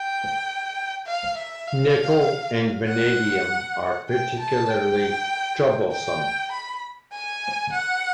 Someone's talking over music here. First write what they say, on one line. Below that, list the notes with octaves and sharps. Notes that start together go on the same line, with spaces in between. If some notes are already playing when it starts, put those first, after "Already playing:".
Nickel and vanadium are particularly troublesome.
Already playing: G5
F5
E5
F5
F#5
G5
A5
G5
G5
B5
G#5
F#5